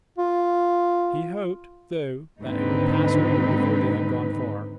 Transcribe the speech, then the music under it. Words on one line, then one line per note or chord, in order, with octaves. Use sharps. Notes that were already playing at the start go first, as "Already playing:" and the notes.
He hoped, though, that it would pass over before they had gone far.
F4
D#2 G#2 D3 C4 D#4 B4